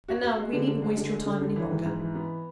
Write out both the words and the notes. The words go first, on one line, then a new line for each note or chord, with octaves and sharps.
And now, we needn't waste your time any longer.
F#4
F#4
G#3
D3
D3
G#3
D3
G#3
D3
D3
E3
G#2
G#2
E3
B3